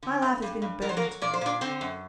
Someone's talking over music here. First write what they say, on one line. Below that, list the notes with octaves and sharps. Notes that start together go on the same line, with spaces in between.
My life has been a burthen to me.
D3
G2
G2
G2
F#3 A#4
C5
A#3 A#4
F#3
A#2 D5
C5
A#2 D4 D5
D3 C4 C5
F#2